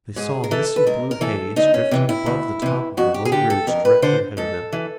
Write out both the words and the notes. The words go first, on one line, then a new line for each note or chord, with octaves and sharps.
They saw a misty blue haze drifting above the top of a low ridge directly ahead of them.
G#2 G#4
A#4
E3 A4
B4
G#2 A#4
A#4
E3 A4
D2 D#4
C#4
C3 E3
E4
D2
C3 E3
F2 F#4
G4
G#4
D3 G4
A4
F2 A#4
B4
D3 C5
G#2 A4
E3